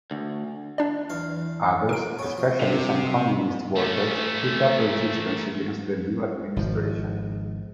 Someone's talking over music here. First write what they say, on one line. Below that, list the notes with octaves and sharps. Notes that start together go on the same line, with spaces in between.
Others, especially some communist workers, put up resistance against the new administration.
D2
D4 D5
E2 F5
A#4 D7
B3 C#5
F3
C3
A3 C#4
G#1 B2 F3